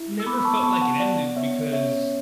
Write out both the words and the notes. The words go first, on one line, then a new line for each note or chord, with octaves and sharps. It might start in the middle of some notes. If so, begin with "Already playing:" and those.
never felt like it ended, because
Already playing: E4
E6
B3 B5 D6
B5
A5 C#6
B3 A5 C#6
F#5 A5
B3 D5 F#5
B3 C#5 E5
C#4 C#5 E5